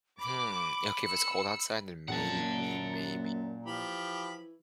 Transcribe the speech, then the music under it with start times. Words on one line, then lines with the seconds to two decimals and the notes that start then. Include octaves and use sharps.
Hmm, okay, if it's cold outside, then maybe maybe.
0.19 B5 D6
1.03 E6 C#7
2.08 F#2 A#2 F#5 A5
3.66 E3 F3 G4 B5